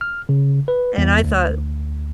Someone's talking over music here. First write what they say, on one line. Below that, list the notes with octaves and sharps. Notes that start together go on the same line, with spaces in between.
and I thought,
F6
C#3
B4
E2
D2